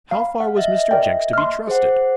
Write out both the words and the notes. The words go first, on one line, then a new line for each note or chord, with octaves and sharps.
How far was Mr. Jenks to be trusted?
F5 B5
F5 F#5
D#5 E5
A#4 D5 G5
C6 F6
G#4 C5 F#5